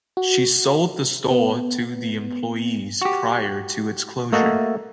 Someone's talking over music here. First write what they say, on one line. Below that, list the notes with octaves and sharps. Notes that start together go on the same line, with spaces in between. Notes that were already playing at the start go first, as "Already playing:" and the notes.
She sold the store to the employees prior to its closure.
F#4
B3
F#4 G4
A3 A#3 F#4 D#5 E5 F#5